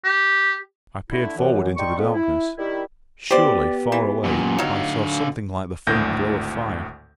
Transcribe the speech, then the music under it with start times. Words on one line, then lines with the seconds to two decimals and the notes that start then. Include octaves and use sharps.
I peered forward into the darkness: surely, far away, I saw something like the faint glow of fire.
0.04 G4
1.11 D3 A3 E4
1.37 F#2 E3
1.76 D#4 D5 G5 C6 C#6
1.97 F2 B3
2.14 E4
2.58 D#3 G3 E4
3.31 B3 G4 C5 D5
3.92 E3
4.24 F#2 A#2
4.59 D3 F#3 D#4 F5
5.87 G#1 D2 A2 G6 G#6 A#6